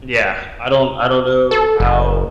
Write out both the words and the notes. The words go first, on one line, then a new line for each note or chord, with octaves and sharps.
Yeah, I don't I don't know how
A4
F#1